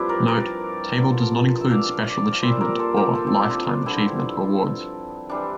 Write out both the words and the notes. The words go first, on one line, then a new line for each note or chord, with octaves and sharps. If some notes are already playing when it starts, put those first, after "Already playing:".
Note: Table does not include 'Special Achievement' or 'Lifetime Achievement' awards.
Already playing: G2 F3 C4 D4 E4 G4
A#4 D5
A#4 D5
G2 D3 F3
E5
D5 F5
D5 F5
F5
A#2 G3 C5 E5
A#4 D5
A4 C5
G4 A#4
F4 A4
C4
D4
E4
D4 F4
G2 D3 F3 C4 E4
C3 E3 G3 D4